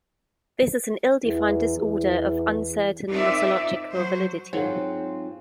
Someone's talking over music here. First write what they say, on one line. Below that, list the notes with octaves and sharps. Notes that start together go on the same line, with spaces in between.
This is an ill-defined disorder of uncertain nosological validity.
E2
E2
C4 D#4 F4 A#4 D5 E5
F#3 C5
G#2 F#3 C4 F4